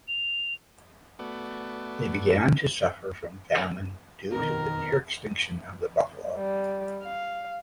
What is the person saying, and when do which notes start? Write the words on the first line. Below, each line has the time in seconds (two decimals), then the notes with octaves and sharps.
They began to suffer from famine due to the near extinction of the buffalo.
0.08 F7
1.19 A3 B3 F#4 D5
4.30 F2 B2 D#3 A#4
6.36 G3
7.03 F5